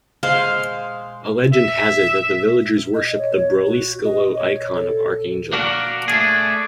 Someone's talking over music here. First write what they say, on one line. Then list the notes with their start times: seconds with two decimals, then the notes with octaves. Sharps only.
A legend has it that the villagers worshiped the Broliskalo Icon of Archangel.
0.23 G#3 C5 F5
1.53 E5
2.94 D#5
3.18 C#5
3.66 F#4
4.05 D#5
4.37 C#5
4.75 A4
5.53 A#3 D4 F#4 A#4
6.08 A3 D4 G#4